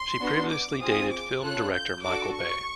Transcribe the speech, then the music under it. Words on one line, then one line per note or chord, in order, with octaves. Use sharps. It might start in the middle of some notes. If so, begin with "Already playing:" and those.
She previously dated film director Michael Bay.
Already playing: C6
B3 D4 F#4
D6
C4 F4 G#4 D#6
D6
C#4 F4 A4 F#6
G6
D4 F#4 A4 D6
C#6